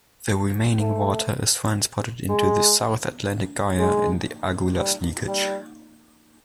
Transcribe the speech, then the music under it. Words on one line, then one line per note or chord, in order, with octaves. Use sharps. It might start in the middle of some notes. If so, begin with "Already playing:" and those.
The remaining water is transported into the South Atlantic Gyre in the Agulhas Leakage.
A3
G#3
G#3
G3
G3